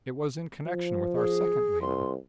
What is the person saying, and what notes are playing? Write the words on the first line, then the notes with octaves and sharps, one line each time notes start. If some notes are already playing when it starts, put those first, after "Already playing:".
"It was in connection with our second lead."
F3
G#4
C2 C6